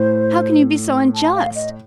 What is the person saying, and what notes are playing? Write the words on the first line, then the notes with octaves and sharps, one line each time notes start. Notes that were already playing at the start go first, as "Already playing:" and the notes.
How can you be so unjust?
Already playing: A2 A3 C5
A5
F5
D#5